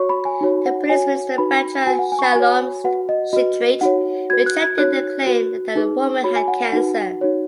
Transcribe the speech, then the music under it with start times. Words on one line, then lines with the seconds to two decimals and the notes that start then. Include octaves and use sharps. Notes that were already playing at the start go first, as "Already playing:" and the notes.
The police minister Bechor-Shalom Sheetrit rejected the claim that the woman had cancer.
Already playing: F#4 C#5 C#6
0.09 B5
0.25 G#5
0.41 D#4 F#4 C#5
0.66 F#5
0.89 F#4 C#5 G#5
1.38 D#4 F#4 B4 B5
1.87 F#4 B4 G#5
1.99 F#5
2.12 G#5
2.19 C#6
2.23 B5
2.35 F#4 C#5 G#5
2.84 F#4 B4 F#5
3.09 D#5
3.33 F#4 B4 D#5
3.81 D#4 F#4 C#5 F#5
4.30 F#4 B4 G#6
4.46 F#6
4.62 G#6
4.78 D#4 F#4 C#5 F#6
5.27 F#4 B4
5.76 D#4 G#4 B4
6.24 F#4 C#5 B5
6.36 G#5
6.48 F#5
6.60 F#5
6.72 D#4 F#4 B4 F#5
7.21 D#4 F#4 C#5